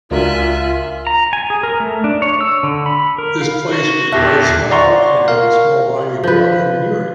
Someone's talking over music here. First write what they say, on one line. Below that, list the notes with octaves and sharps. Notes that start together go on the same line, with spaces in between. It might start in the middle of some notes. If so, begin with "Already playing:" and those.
This place was quite small and has a small body of water near it.
C#2 D4 F4 F#4 A#4 E5 G#5 F#6
A#5
G#5
G#4
A#4
A3
D4
C#5
E6
D3
B5
A#4
F5
F#4
E2 A#2 G4 E5 A5 F#6 A#6
D5 F#5 A#5 C6 C#6
A#4 F5
F3 B4